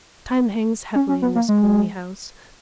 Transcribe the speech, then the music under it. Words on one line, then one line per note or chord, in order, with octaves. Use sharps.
Time hangs heavily in this gloomy house.
C#4
C#4
B3
A#3
G#3